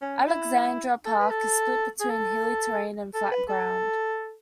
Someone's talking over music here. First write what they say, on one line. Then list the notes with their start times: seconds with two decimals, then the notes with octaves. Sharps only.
Alexandra Park is split between hilly terrain and flat ground.
0.02 C#4
0.28 E4
1.06 A4
1.18 B4
1.30 A4
2.00 G#4
2.10 A4
3.14 A4
3.31 B4
3.49 A4